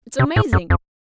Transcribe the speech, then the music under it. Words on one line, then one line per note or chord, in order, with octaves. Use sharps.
It's amazing!
C3
A2
F#2
F2